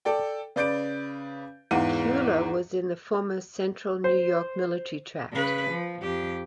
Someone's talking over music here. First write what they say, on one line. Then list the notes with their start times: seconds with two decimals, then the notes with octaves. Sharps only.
Cuyler was in the former Central New York Military Tract.
0.05 A4 D5 G5
0.56 C#3 B4 D5 G6 A6 D7
1.71 E2 G#2 E3 F5 F#5 D#7
4.04 C5
5.32 C#3 B4
5.70 F3
6.02 F2 G4